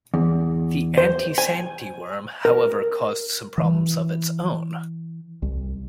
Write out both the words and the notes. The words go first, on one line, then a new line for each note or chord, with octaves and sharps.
The anti-Santy worm, however, caused some problems of its own.
E2
C5
G#5
A#4
E3
C2